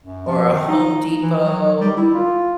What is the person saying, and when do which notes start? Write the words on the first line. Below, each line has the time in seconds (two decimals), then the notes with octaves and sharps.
or a Home Depot
0.03 F#2
0.27 F3
0.52 D#3
0.68 D#4
1.22 E3
1.45 F#3
1.81 G3
1.97 E4
2.14 F4